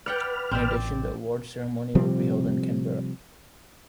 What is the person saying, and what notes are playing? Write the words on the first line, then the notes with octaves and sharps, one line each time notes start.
In addition, the awards ceremony would be held in Canberra.
B4 D5 F#5 G5 F6
A1 C4 D5
C3 F3 G3 C4